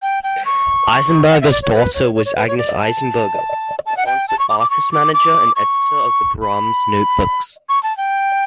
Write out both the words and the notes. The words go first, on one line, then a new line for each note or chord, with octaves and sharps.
Eisenberger's daughter was Agnes Eisenberger, concert artist manager, and editor of "The Brahms Notebooks".
G5
G5
C#6
F#5
E5
D5
C#5
B4
C#5
C#5
C#5
B4
C#5
D5
A5
A5
F#5
G5
A5
C#6
D6
D6
C#6
D6
D6
C#6
B5
C#6
A5
G5